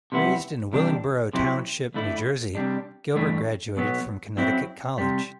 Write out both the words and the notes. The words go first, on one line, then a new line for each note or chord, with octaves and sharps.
Raised in Willingboro Township, New Jersey, Gilbert graduated from Connecticut College.
C3 G3 B3 E4
E2 C3 G3 D4
C3 F#3 C4 E4
D2 D3 A3 E4
C3 G3 D4
G2 E3 A3 D4
B2 F#3 B3
F#2 F#3 C4 E4
C2 C3 G3